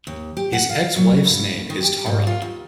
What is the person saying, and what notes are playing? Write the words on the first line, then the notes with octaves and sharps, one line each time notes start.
His ex-wife's name is Tara.
D#2
G4
F#5
F5
F#3
G2
D#3
G4
G#2
F4
D#2